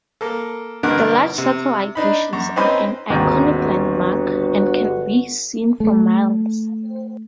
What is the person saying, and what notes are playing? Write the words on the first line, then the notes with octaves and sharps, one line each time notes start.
The large satellite dishes are an iconic landmark, and can be seen for miles.
A#3 A4
G2 B2 D3 A#4 D6 F#6
C3
D4 D#4 B5
F#2 C#6
C4 C#4 D#4 B4 C5
G1 D#2 G#2 C3 F#4
A3